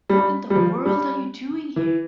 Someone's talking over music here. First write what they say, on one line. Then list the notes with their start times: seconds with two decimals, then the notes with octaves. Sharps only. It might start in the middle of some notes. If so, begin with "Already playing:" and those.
What in the world are you doing here?
0.09 G3
0.50 G3
0.56 F3
0.85 G3
1.76 E3